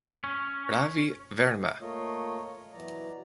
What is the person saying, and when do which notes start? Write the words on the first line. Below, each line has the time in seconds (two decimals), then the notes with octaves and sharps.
Ravi Verma.
0.24 C#4
1.81 A3 A#3 F4 C#5 D#5
2.73 B2 E3 F#3 D5 A#5